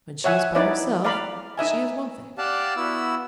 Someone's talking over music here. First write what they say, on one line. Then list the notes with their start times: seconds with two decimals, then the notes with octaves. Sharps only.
When she is by herself, she is one thing.
0.24 C#5 E5 F#5 G#5
0.55 D#4 E4 B4 C#5 D5
1.05 D5 F5 A#5 B5
1.57 D#4 D#5 E5 G#5
2.38 G4 D5 F5 F#5 A5
2.77 B3 E4 F#4 E6